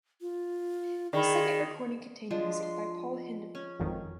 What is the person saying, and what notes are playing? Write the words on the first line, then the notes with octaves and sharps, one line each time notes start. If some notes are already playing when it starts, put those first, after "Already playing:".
His second recording contained music by Paul Hindemith.
F4
D#3 G#4 D5 B5
F3 G#3 D4
C6
C#4
G#1 F2 D#3